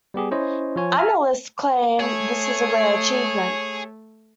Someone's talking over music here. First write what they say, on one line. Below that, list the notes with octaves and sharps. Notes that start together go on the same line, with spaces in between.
"Analysts" claim this is a rare achievement.
G3 B3 G4 G#4
C#4 E4 C5 C#5 D#5
F3 F4 C#5 G#5
E5 G#5 A#5 F6
A3 G#4 C#5